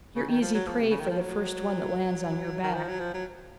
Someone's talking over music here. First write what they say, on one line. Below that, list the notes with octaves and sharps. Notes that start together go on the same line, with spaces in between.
You're easy prey for the first one that lands on your back.
C#3
D#3
F3
F#3
F3
C3
C#3
D#3
F3
F#3
D#3
F3
F#3
F3
F#3